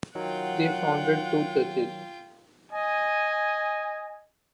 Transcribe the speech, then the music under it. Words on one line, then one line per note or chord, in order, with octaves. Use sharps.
They founded two churches.
D#3 F#3 F4 F#5 G5
D#5 G#5